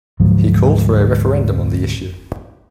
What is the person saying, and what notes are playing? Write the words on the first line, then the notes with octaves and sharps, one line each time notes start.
He called for a referendum on the issue.
D2 G#2 F3 F#3